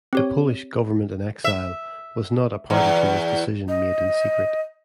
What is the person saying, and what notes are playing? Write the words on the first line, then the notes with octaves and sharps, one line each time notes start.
The Polish government-in-exile was not a party to this decision made in secret.
C4 G4 C#5
E5
E2
D#5